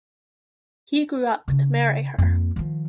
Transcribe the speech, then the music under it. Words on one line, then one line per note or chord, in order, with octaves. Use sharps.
He grew up to marry her.
C#3 D4
F2 A#3
D#3 F3